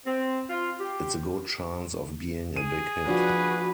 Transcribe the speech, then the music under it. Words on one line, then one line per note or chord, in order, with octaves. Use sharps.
It's a good chance of being a big hit.
C4
F4
G4
G#4 D#7
F3 D4 F#4 B4